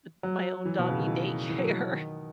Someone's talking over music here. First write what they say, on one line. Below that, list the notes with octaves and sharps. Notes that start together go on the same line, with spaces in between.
m my own doggy daycare.
F#3
E3
B2
C#3
D#3
E3
E3
F#3
E3
D#3